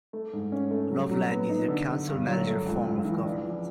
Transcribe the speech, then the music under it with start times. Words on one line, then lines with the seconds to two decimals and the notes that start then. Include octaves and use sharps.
Loveland uses a council-manager form of government.
0.13 A3
0.33 G#2
0.52 C#4
0.71 A3
0.91 F#3
1.11 F#3
1.30 B3
1.49 D#4
1.68 D3
1.89 D3
2.08 G2
2.27 F#3
2.47 A3
2.66 C#2
2.85 C#2
3.05 E3
3.24 D4
3.44 F3